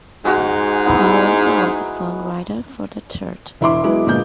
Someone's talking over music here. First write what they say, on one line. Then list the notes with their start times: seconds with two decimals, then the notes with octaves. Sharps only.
He also was a songwriter for the church.
0.25 G#2 G#3 F#4
0.86 B3 D#4 E4
3.61 E1 E4 E5 C6 D6
3.84 F#3 G#3 B3 E4
4.06 G1 A#2 G#3 A#3 G6